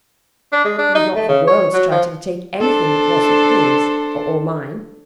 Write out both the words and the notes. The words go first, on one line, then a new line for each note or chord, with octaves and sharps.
He would not for worlds try to take anything that wasn't his,--or mine.
D4
G#3
D4
D#4
A3
C#3
C#5
F#3
F3
D4 A4 C5